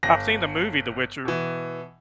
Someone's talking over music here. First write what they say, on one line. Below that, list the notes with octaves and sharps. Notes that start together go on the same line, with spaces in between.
I've seen the movie The Witcher.
G1 A#6
B2 E3